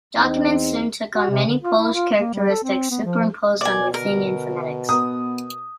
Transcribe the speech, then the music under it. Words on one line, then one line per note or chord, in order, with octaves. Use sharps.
Documents soon took on many Polish characteristics superimposed on Ruthenian phonetics.
E2 C4 D#4
F#4
C3
D3
F4
E4
F4
A#3
G3
A4
C4
B3
F3
B2 A#4 D5 G#5
D3 A#4
B3 D#6